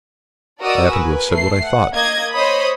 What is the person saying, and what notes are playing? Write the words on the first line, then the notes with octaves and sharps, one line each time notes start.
I happen to have said what I thought.
F#4 A#4 D5 D#5 D#6 E6
A#4 B4 G#5
A3 C7
F#5
A#3 D#5 G#6
C5 C#5 D#5 B5 D#6